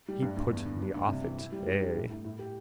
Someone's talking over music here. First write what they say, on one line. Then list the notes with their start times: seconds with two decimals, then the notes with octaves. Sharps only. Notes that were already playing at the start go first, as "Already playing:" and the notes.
He put me off it. Ay.
0.08 G3
0.22 G2
0.37 G2
0.52 E2
0.66 D3
0.80 D4
0.95 G2
1.09 C3
1.24 E3
1.38 E4
1.52 G3
1.67 G3
1.81 D4
1.96 A2
2.10 A2
2.25 A2
2.39 G4